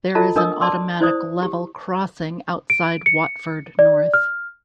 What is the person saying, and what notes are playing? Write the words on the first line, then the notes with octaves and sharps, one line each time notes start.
There is an automatic level crossing outside Watford North.
F4 A4 D#5 A5 A#5
D4 A#4 D#5 D#6 E6
D5 A5 C6 D6 E6
E4 C5 D5 D#6
G4
D7
C#7
D5
F6